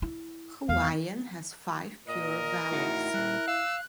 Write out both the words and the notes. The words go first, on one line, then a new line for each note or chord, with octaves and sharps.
Hawaiian has five pure vowels.
E4
E2 F5
A#2 A#4 D#5
A2 D#4 E4 F#4
A#2 G3 F#6
F5 E6